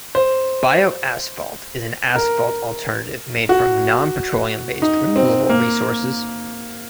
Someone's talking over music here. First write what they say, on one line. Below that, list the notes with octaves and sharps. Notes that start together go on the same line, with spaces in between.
Bioasphalt is an asphalt alternative made from non-petroleum based renewable resources.
C5
A#4
F#4
D#4
C4
A#3